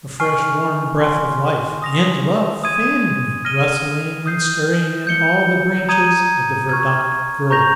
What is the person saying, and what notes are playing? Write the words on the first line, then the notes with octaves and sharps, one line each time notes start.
A fresh, warm breath of life and love fanned me, rustling and stirring in all the branches of the verdant grove.
G#5 C#6 F6 C7
G#5 C6 F6
D#6 A#6 F7
D#6 G#6 D#7
F6 A#6 D#7 G7
D#6 G6 C7
G6 C#7 G7
A#5 D#6 G#6 D#7
C#6 F6 G#6
A#5 C#6 G6 A#6 F7